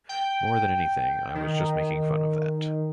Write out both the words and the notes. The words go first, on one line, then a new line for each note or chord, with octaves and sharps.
More than anything, I was just making fun of that.
G5
D#3